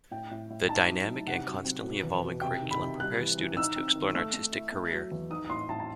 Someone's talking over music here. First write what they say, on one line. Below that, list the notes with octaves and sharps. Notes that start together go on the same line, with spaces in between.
The dynamic and constantly evolving curriculum prepares students to explore an artistic career.
A2 G5
A2
A2
D#4 A5
F#3
D#4
C3 F#5
F#3
C4
B2
E2
B2
C3 G5
D#3
B5
C3
G3 F#6
E3
E3
D#4 E6
C4
D#3
A3 E6
A3
E4
A3
F#3
E2
D#4 D#6
D#6
A2 C6
A2 A5
A5